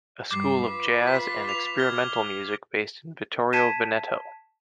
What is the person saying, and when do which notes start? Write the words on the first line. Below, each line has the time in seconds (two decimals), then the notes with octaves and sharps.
A school of jazz and experimental music based in Vittorio Veneto.
0.31 G2 G3 D6 C7
0.67 F4 B4
1.07 B6
1.48 D6 F7
1.78 F6 G#6 G7
3.53 A5 G#6 B6 D#7 E7